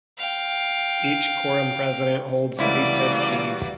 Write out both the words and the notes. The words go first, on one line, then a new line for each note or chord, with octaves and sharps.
Each quorum president holds priesthood keys.
F5 G5
C#2 E3 G3 A3 A#3 E4 F#4 D5